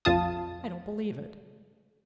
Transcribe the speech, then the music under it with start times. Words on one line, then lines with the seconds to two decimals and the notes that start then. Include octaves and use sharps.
"I don't believe it!"
0.05 A#1 F2 F4 A5 D#6